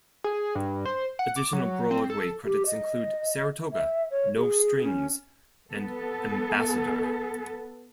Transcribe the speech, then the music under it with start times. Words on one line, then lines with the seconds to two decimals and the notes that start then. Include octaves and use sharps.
Additional Broadway credits include "Saratoga", "No Strings", and "Ambassador".
0.24 G#4
0.55 G2
0.86 C5
1.19 F#5
1.36 D6
1.53 F#3
1.91 C4
2.10 A4
2.45 G4
2.66 D#5
3.72 E5
4.11 C#5
4.37 G#4
4.84 C#4
5.72 B3 A4